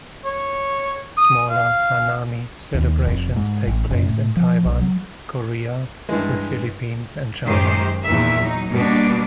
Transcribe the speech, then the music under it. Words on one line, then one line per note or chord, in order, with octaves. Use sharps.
Smaller "hanami" celebrations take place in Taiwan, Korea, the Philippines, and China.
C#5
D#6
F5
D#2
F1
G#2
A1
F#1
A2
F3
B1
F#3
G2 E3 G#3
F#2 D#3 G#3 G4 C5
E2 A#2 D#3 E5
F#3 D#4
B2 G3 A#3 D4